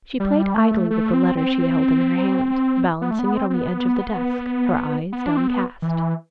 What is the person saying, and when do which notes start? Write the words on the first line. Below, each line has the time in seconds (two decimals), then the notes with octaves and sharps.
She played idly with the letter she held in her hand, balancing it on the edge of the desk, her eyes downcast.
0.20 G3
0.54 A3
0.90 A3
1.14 C4
1.37 C4
3.01 B3
3.11 A3
3.19 B3
3.37 C4
3.50 C4
3.54 B3
5.12 B3
5.26 D4
5.37 C4
5.48 B3
5.82 E3